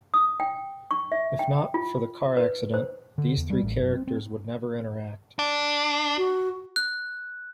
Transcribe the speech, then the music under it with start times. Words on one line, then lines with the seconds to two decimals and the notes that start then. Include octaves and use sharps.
If not for the car accident, these three characters would never interact.
0.14 D#6
0.40 G5
0.91 C#6
1.12 E5
1.39 G5
1.74 F4
2.37 B4
2.74 C5
3.18 D3
3.37 E2
3.50 G3
3.63 A1
3.77 F#1
3.93 C4
4.07 C4
5.39 D4
6.17 F#4
6.76 F#6